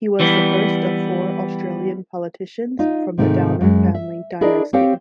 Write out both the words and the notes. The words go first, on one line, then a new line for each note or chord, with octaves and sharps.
He was the first of four Australian politicians from the Downer family dynasty.
E3 G3 B3
D#4 F4
G#2 C3 D#3 E3 G#3 A3
F#2 G#3
E5
D4 E4 G#4 A#4 D5 D#5
C4 G4 C5 C#5 F5 G5